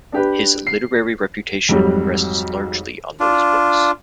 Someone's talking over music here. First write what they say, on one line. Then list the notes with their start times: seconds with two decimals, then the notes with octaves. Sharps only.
His literary reputation rests largely on those books.
0.12 D4 G4 B4
0.67 C7
1.69 F2 G#2 F#3 G3
3.20 D4 F4